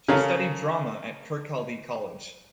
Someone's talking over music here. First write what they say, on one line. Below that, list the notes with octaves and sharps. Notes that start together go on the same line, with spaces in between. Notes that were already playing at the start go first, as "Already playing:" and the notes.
She studied drama at Kirkcaldy College.
C#3 A4 A#4 C#5 F5 A#5